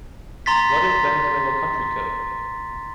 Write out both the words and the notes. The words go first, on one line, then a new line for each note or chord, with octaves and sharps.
What is Venezuela country code?
A#5 C6 A6 B6